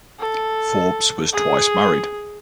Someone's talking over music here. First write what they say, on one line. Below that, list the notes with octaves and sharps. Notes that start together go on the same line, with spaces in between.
Forbes was twice married.
A4
G#4